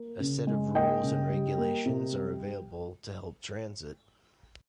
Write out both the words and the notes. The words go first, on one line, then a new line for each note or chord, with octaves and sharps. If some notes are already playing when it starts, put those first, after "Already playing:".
A set of rules and regulations are available to help transit.
Already playing: A#3
C#3
G#3
A#3 D#5 G5
C#3
G3
A#3
C3
G3